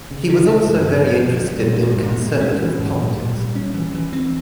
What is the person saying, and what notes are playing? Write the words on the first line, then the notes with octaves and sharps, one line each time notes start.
He was also very interested in Conservative politics.
C#3
C#3
C#3
G2
F3
F3
F3
G3
A#2
A#2
A#2
G#3
C#4
E3
G#2
A#2
A#2
G3
C#4
E3
E3
C4